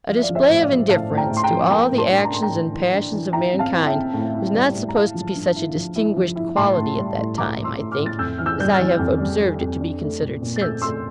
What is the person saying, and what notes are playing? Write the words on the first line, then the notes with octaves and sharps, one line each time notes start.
A display of indifference to all the actions and passions of mankind was not supposed to be such a distinguished quality at that time, I think, as I have observed it to be considered since.
F3 F5
E5
D5 F5
F3
C5 E5
A2
E5
D5 F5
F3
A2 F5 A5
A2
G5 A#5
A2
C6
G5 A#5
F3
A#3 G5 A#5
A2
A5 C6
D4
A#5
A#3 C6
G5 A#5
A2
E3
D4
E3
E4 G5 A#5
C4
F5 A5
E4
E5 G5
C4
A2
E4
G3
A2
A#5
E4 F5 A5
F3
G2
E4
F3
E4
F3
E4
A2 A5 C6
A2
G3
A2
A2 A#5 D6
A2
C6 E6
A2
D6 F6
A2
A6
F2 E6 G6
E3 F6
E6 G6
G3 G6
F6 A6
E3
F2
G3
G3
F2
D4
A3
A#2
A#2
A6
A3 E6 G6
A3 C6 E6